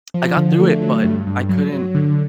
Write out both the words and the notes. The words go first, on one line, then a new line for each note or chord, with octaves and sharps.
I got through it, but I couldn't
F3
D3
A3
F#3
G2
G2
F#3
F#3
D3